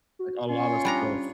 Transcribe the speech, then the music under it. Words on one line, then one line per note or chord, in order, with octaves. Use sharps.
like, a lotta stuff
F#4
C#4 F4 C#5 G#5
G3 D4 A#5